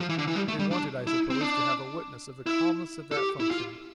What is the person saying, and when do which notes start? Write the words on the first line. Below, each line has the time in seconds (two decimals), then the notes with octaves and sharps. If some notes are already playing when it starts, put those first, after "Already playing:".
They wanted, I suppose, to have a witness of the calmness of that function.
0.01 F3
0.09 E3
0.18 D3
0.28 E3
0.36 G3
0.48 A3
0.59 G3
0.72 D4
1.07 E4
1.30 C4
1.41 D4
2.46 E4
3.12 A4
3.17 G4
3.40 E4
3.51 F4